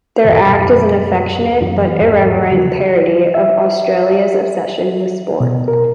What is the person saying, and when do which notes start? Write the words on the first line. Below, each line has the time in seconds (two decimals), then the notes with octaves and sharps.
Their act is an affectionate but irreverent parody of Australia's obsession with sport.
0.25 C#2 F#2 A2 D#3
0.44 D#1 F#2 B2 F#3
1.61 F#2 E3 F#3
1.99 E2 G#2 G3
2.51 C#3 F3 G3 A#3
3.35 E5
5.40 B2
5.68 A#4